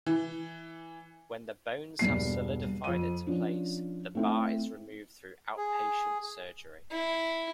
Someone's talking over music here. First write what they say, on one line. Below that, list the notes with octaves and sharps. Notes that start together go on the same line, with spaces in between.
When the bones have solidified into place, the bar is removed through outpatient surgery.
E3
E1 G2 A#3 C7
F2 D#7
F3 C#4 D4
A3 C4 E4
G#4
E4